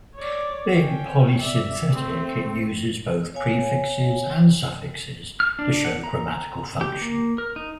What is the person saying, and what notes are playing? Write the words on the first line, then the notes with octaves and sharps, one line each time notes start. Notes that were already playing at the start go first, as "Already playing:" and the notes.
Being polysynthetic, it uses both prefixes and suffixes to show grammatical function.
C#5 D5
C#4 G5
D5 E5
A3 C4
C#5 F5 G#5
F6
D4
F#5
A#5
G4
A#3
A#4
D#4